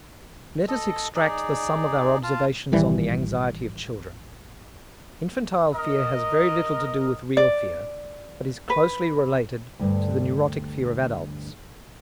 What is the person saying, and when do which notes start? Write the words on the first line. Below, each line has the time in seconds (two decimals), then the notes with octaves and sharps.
Let us extract the sum of our observations on the anxiety of children: Infantile fear has very little to do with real fear, but is closely related to the neurotic fear of adults.
0.68 A4 D#5
1.15 D#4 G#4 D5
2.23 F4 F5 A5
2.72 A1 D#3 E3 G3
5.74 A#4 D#5
7.37 D5
8.70 B4
9.79 D2 G2